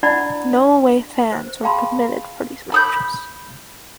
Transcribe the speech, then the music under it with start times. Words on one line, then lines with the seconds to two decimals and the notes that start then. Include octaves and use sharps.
No away fans were permitted for these matches.
0.03 D4 E4 D5 F#5 A5 B5
1.32 C5
1.63 G#4 F5 G5 A5 B5 C6
2.72 B5 D#6 G6